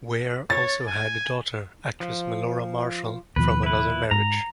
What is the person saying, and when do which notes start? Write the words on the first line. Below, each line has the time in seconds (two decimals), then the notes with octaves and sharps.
Ware also had a daughter, actress Melora Marshall, from another marriage.
0.50 C#5 A6
0.87 G#5
2.00 F3
3.36 D#2 B2 F3 B4
3.63 E4 B4
4.11 G#2 A#5